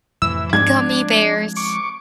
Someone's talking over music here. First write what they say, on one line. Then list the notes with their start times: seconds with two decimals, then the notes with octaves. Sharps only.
Gummy bears,
0.22 F2 A2 C3 E3 E6
0.53 G#2 F3 G#3 C4 D4 G#6
1.56 C#6 D6